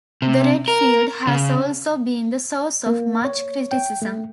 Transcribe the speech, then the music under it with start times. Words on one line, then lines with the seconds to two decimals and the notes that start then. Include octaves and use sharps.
The red field has also been the source of much criticism.
0.22 C3
0.68 A#4
1.27 C#3
2.87 A#3
3.25 C#5
3.71 G5
4.02 A3